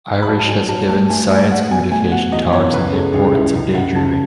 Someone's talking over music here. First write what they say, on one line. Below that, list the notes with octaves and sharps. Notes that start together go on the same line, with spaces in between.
Irish has given science communication talks on the importance of day dreaming.
B5
F#3 A5
A5
F#3 G#5
F#3 A5
A3 A5
A3 G#5
A3 G#5
A3 F#5
B2 G#5
A3 G#5
B2 F#5
E2 D#5
E2 C#5
C#2 B4
G#3 A4
C#2 G#4
C#2 E4
C#2
C#2 F#5
C#3 A5